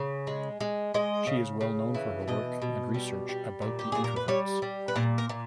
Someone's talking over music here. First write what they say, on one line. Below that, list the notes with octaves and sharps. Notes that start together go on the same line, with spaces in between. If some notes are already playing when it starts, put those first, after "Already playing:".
She is well known for her work and research about the introverts.
Already playing: C#3
G#3
G#3
G#3 D#5
C#3
C#3
E3
B2 D#5
B2
G3
G3
A#2
G4
A#2 G#4
A#4
B4
G3 C#5
G3
B4
A#2 A#4
A#4
A#2